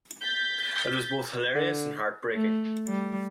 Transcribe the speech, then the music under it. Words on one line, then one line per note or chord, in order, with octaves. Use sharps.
It was both hilarious and heartbreaking.
G6 A6 B6
D3
A3
G3